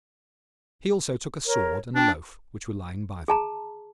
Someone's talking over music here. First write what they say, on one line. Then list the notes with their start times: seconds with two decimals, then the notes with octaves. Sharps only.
He also took a sword and a loaf, which were lying by them.
1.47 A#4 C#5
1.95 D4 G5 A5
3.28 G#4 A5 A#5